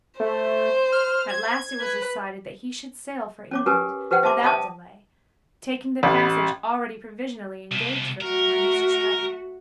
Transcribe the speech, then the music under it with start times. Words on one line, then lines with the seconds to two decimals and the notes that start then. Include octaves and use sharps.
At last it was decided that he should sail for England without delay, taking the passage already provisionally engaged for him by Mr. Stretton.
0.20 A3 C5
0.92 F6
1.29 G#6
1.80 B4
3.51 C#4 C#5 D6
3.66 C#4 G4 A#4 B4 G#5
4.11 G4 B4 C5 F#5 G5
4.23 C5 E5 A5 C6 D6
4.43 D5 E5 F5 G5 A5 D#6
6.03 A1
7.71 C2 B2
8.21 A3 F#4 A#4